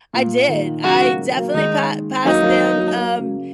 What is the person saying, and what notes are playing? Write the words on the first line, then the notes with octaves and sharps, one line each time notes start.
I did, I definitely pa pass them um,
A#2
A#2 D#3
C#3 F#3 F#4
F#3 A#3
F#3 A#3
D#3 G#3 D#4
F#3 A#3 D#4
F#3 A#3
F#3 A#3
F#3 A#3
C#3 F#3